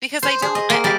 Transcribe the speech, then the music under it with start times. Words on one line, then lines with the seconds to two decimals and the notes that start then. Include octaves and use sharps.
because I don't I
0.23 C5
0.42 G#4
0.55 D#5
0.70 A#3
0.84 G3